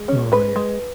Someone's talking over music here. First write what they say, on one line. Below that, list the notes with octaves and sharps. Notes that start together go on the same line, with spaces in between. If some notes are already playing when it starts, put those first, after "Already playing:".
Oh, yeah.
Already playing: G#3
C#4
G#3 B4
G#3